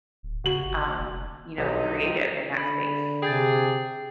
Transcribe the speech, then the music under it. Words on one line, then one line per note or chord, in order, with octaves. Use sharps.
um, you know, creative in that space?
D1
C#3 F#4 F#7
G1
F1
B1 G2 C3 D#4
D3 B5
C3 G#4 G5 G6 A6